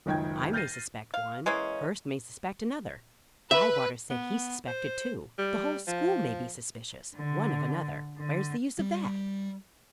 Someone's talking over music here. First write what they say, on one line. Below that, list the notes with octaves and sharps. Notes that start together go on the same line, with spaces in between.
"I may suspect one; Hurst may suspect another; Bywater said he suspected two; the whole school may be suspicious, one of another. Where's the use of that?"
F#1 C#2 D#3 G5 G#6
F6 G6 A6 A#6 C7 D#7
F5
E3 G#3 A#3 C#4
B4 E5
B3
C5
G3
F3
D3
D3
G3